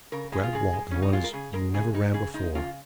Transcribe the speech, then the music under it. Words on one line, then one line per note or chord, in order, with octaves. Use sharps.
Grab Walt and run as you never ran before!
C#3 A#4
G#3 G#4
F4
C#3 G#4
G#3
C#3 C#4
D#4
G#3 F4
A#4
C#3 G#4
G#3 A#4
C#3 G#4
G#3 D#4
C#3 G#4
G#3 D#4
C#3 F4